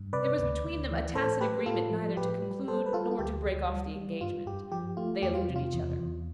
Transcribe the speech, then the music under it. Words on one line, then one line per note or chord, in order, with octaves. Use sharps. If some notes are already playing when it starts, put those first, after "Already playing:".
There was between them a tacit agreement neither to conclude nor to break off the engagement. They eluded each other.
Already playing: G2
C3 B4 D5
D2
D2
E3
A2 A4 C5
A3 G4 B4
A2 F4 A4
F3
A2 G4 B4
G3
G3 A4 C5
B4
G3 F4 A4
F4
D2 G4
D2
G3
G3
G2 F4
G2 G4
F3 G4
A3 F4
E2 G4
F4
C3
F4
E2
E2